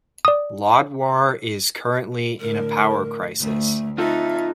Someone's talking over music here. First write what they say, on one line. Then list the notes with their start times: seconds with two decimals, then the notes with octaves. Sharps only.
Lodwar is currently in a power crisis.
0.25 D5 D#6
2.41 A2 D3 A#4
3.41 D2 A3
3.98 D#4 F4 A4 E5